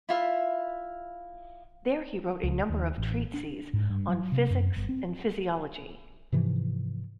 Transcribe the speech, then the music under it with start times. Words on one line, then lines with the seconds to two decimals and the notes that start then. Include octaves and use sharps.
There he wrote a number of treatises on physics and physiology.
0.09 E4 F4 E5
2.43 C#2
2.69 D#2
2.98 A1
3.34 D4
3.73 G#2
3.90 G2
4.09 F#3
4.32 C3
4.50 F#2
4.76 G1
4.89 C4
6.32 G#2 C3 E3 F3